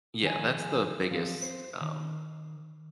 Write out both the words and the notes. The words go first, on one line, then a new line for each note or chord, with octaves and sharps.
Yeah, that's the biggest, um
D#3 F3 G#4 E5 G#5
F3 C4
C5
D#3